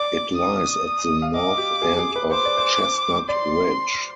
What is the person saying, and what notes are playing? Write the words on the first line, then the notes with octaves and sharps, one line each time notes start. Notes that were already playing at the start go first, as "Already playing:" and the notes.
It lies at the north end of Chestnut Ridge.
Already playing: D5 D6
D#6
F5
D#5 D6
G4
G#4
G#4
B4
C5 D6
D5
C5
D5 C6